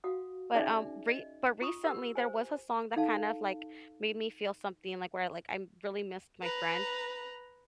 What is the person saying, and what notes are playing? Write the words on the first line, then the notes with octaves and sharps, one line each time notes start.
But, um, re but recently, there was a song that kind of, like, made me feel something, like, where, like, I really missed my friend
F#4 F5 F#5 D#6
C#4 D#4 G#4 D5 E5 G#5
D#5
F4 C#6 D#6
G4 A#4 F#5
C5 G#5
D#4 A4 F5 A5
B4 A#5